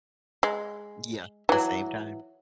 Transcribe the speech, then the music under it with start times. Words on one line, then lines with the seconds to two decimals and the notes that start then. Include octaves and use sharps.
Yeah. The same time.
0.43 G#3
1.49 E3 F#3